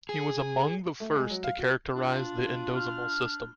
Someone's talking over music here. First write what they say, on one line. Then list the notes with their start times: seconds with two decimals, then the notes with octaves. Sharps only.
He was among the first to characterize the endosomal system.
0.09 G#4
1.00 A3
1.16 G#3
1.30 F#3
1.44 F5
1.59 F#4
1.95 D4 F4
2.74 F6